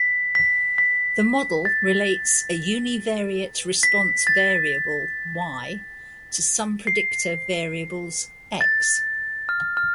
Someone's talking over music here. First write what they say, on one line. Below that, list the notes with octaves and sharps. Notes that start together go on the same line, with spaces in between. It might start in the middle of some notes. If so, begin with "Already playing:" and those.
The model relates a univariate response variable, "Y", to some predictor variables, "x".
Already playing: B6
B6
B6
A6
B6
A6
C7
A6
F6
F6